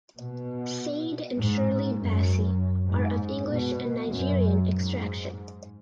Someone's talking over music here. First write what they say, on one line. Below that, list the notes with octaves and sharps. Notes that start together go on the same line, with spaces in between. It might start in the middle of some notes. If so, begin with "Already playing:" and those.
Sade and Shirley Bassey are of English and Nigerian extraction.
B2
G#2
F#2
G#2
B2
F#2
G#2